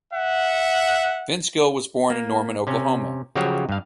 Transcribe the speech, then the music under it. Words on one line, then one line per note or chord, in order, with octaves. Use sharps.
Vince Gill was born in Norman, Oklahoma.
E5 F#5
A#3
C3 C#4
C#3 F3 F#3 F#4 G4 C#5
G2 F5